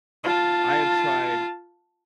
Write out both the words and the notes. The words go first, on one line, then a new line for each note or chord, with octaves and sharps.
I have tried
F4 A5